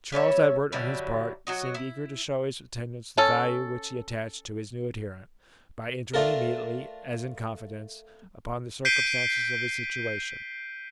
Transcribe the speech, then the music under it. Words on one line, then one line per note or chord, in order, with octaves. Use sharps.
Charles Edward, on his part, seemed eager to show his attendants the value which he attached to his new adherent, by entering immediately, as in confidence, upon the circumstances of his situation.
G3 C#4 C#5 E5
D3 F#3 G3 E4
F#3 F#4 D#5
E4
C#4 A4
A3 D4 F4 A4 A#4
G6 B6 C7 D7 D#7 G7